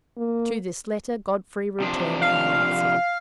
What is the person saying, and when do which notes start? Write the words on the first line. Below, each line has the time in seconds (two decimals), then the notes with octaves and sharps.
To this letter Godfrey returned no answer.
0.17 A#3
1.80 C3 F3 D4
2.21 F5